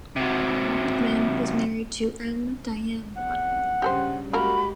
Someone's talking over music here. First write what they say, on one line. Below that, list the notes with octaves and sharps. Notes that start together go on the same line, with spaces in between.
Bodman is married to M. Diane Bodman.
C3 F#3
E2 F#5
G2 C#3 G4 A4 C5
G#3 A#3 F#4 G4 A#4 B5